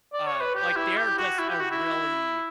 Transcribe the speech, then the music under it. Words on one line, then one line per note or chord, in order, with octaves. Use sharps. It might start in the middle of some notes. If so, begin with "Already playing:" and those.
uh, like, they're just a really
D5
C#5
B4
G4
E4
G4
F#4
E4
G4
F#4
E4